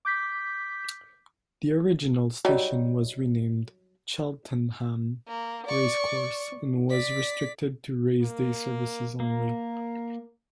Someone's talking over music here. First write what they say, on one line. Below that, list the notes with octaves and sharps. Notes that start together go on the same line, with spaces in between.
The original station was renamed Cheltenham Racecourse, and was restricted to raceday services only.
D6 G6 B6
F#3 G3 D#4
A#3
D5 C#6
D5 B6
A#3
A#3 A#4